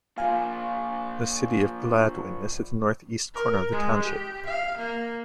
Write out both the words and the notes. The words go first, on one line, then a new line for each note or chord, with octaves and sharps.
The City of Gladwin is at the northeast corner of the township.
A#2 F3 F5 G#5
A#4
G#3
G4
F5
A#3